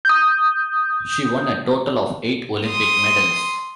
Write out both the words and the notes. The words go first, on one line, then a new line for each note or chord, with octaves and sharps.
She won a total of eight Olympic medals.
D#6 G6
C6 D#6